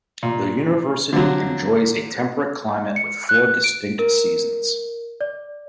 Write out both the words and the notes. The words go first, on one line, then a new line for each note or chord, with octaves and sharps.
The university enjoys a temperate climate with four distinct seasons.
A#2
D3 F3 F#3
C#7
F#6
D7
A#4
D5